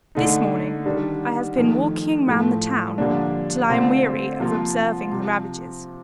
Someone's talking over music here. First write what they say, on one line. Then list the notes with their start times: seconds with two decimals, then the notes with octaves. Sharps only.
This morning I have been walking round the town, till I am weary of observing the ravages.
0.15 D3 A3 D#4
0.86 D#3 G3 D4
1.56 F2 D#3 A3
2.27 A2 F3 A3
2.98 F2 D3 G3 A#3 D4
3.69 D3 A3 C4 F4
4.39 C3 F3 A#3 F4
5.11 C3 F3